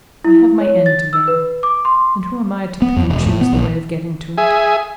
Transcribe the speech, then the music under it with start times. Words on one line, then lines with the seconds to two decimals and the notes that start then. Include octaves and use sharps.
I have my end to gain--and who am I, to pick and choose the way of getting to it?
0.25 E4
0.60 C#5
0.86 A6
1.13 E6
1.28 B4
1.63 D6
1.85 C6
2.82 B3
2.96 F2
3.10 E1
3.27 A2
3.41 B3
3.53 A#1
4.38 G#4 E5 G#5